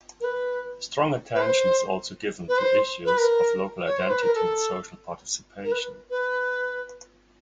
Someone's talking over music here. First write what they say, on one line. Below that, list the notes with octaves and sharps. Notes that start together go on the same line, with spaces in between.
Strong attention is also given to issues of local identity and social participation.
A#4
B4
B4
C5
B4
C5
B4
A#4
C#5
C5
B4
A#4
A4
A#4
B4
B4